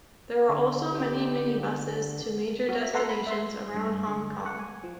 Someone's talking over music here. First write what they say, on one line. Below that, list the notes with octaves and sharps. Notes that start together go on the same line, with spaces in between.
There are also many minibuses to major destinations around Hong Kong.
D3
D#4 G4
F#4
E5
A4 B4 F#5 A#5 C6
B5
E5 C6
G2
D3
F#5
G#5
F3